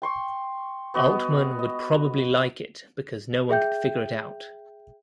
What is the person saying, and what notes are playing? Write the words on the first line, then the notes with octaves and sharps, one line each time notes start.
Altman would probably like it because no one can figure it out.
G5 C6 C#6
B3 F#4 D#5
D#5
G#4 E5 G5 G6